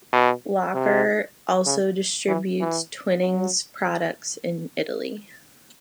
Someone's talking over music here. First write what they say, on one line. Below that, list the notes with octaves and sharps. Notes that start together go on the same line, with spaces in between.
Loacker also distributes Twinings products in Italy.
B2
C3
C#3
E3
E3
F#3